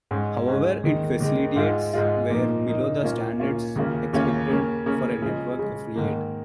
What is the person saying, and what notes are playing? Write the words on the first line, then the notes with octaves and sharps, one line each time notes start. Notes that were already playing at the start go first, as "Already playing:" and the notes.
However, its facilities were below the standards expected for a network affiliate.
G#2 G#3 C#4
G#2 G#3 C#4
D#2 D#3 G#3
D#2 D#3 G#3
G#2 G#3 F4
G#2 G#3 F4
A#2 F3 A#3 D#4
A#2 F3 A#3 D#4
A#2 A#3 C#4 F4
A#2 A#3 C#4 F4
D#2 C#3 A#3 C#4 F4
D#2 C#3 A#3 C#4 F4
C#3 A#3 C#4
C#3 A#3 C#4
C#3 F3 G#3
C#3 F3 G#3
G#2 D#3 A#3